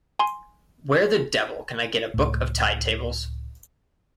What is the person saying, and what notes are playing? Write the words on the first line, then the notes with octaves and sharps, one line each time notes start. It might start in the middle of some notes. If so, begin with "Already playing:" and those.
Where the devil can I get a book of tide tables?
G#5 C6
C#2 A2